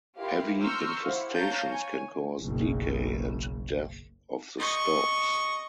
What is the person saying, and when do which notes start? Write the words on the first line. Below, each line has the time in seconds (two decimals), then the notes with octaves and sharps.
Heavy infestations can cause decay and death of the stalks.
0.18 E4 F4 G4 A#4 F5
0.62 A#5 C6 C#6 E6 F6 G6
1.03 E4 G4 C5 F5 F#5
1.33 C#5 F5 A5 A#5 G6 A6
1.67 C#5 G#5
2.42 F#1 B1
4.59 D#5 C#6